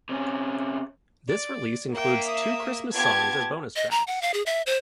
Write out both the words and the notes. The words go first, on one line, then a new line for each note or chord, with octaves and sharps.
This release includes two Christmas songs as bonus tracks.
C3 C#4
D5
A#3 E5 G5
D#6
B3 F4 G4 A5 G#6
D#5
A#5
F#5
F5
G#4
E5
C5